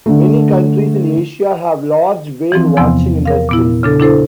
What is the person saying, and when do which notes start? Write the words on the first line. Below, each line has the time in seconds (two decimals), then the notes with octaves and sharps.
Many countries in Asia have large whale watching industries.
0.06 D3 A3
2.52 E3 F3 C4
2.77 E2 C3 F3 B3 C6
3.25 A#4 F5
3.49 A#2 B3 E4
3.83 C#3 D4 A4
4.00 D4 E4 A4 C5